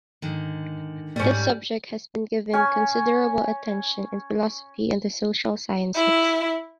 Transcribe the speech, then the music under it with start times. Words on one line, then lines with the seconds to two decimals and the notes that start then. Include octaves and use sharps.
This subject has been given considerable attention in philosophy and the social sciences.
0.22 G#2 D3 D#3
1.16 G#2 C3 G3 C#4 C#5
2.53 C#4 G#5
5.95 E4